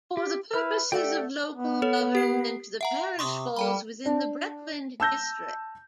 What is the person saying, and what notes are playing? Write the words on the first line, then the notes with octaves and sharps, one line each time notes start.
For the purposes of local government, the parish falls within the Breckland district.
G4
E4 B4 F6
A3 G4 A4 D5 F#5 G5
B3
A4 C#5
G4 C7
E5 F#5 A#5
C3 C6 C#6 D#6
G3 A4 G5 B5
D4
A5 E6 G6 A#6